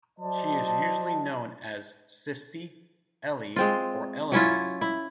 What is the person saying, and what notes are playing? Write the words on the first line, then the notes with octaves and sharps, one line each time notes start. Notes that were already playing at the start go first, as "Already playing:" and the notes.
She is usually known as "Sistie", "Ellie" or "Eleanor".
F#3 C5 D5 D#5 A5
G#3 C4 F4
F#3 C#4 E4 F4
E4